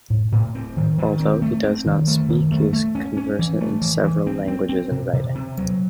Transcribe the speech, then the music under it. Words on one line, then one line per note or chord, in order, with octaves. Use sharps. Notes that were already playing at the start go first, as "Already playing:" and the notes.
Although he does not speak, he is conversant in several languages in writing.
A2
A2
C4
D#3
D#3
C4
A3
C4
D#3
A3
D#3
A3
A3
C#4
C#4
E3
A3
E3
E3
C4
C4
C4
C3
C3
C3
F#3